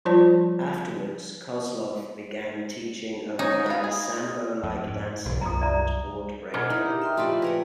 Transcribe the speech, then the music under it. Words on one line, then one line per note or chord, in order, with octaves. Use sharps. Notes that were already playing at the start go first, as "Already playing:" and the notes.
Afterwards, Kozlov began teaching O'Brian sambo-like dancing and board breaking.
F3 G3 F4 C5 D5 A5
C#4 D#4 D#5
B4 F5
G#4 D#5
F2
G#2
B1 G#2 E3
C2 F#2 A#2 A#5 D#6
D5 E5 A#5
B2 D4 G#4 A#4 D6
D#4 E4
G4
E5 G5 C6
A#2 F3 A3 F4 G4 B4 D5
G#4 A#4 B4 F#5